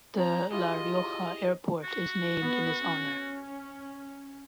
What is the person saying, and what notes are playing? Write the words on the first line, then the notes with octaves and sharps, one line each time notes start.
The La Rioja Airport is named in his honor.
C4 A#5
E4 F4 G4 G#4 D#5
F#4
B3
C#4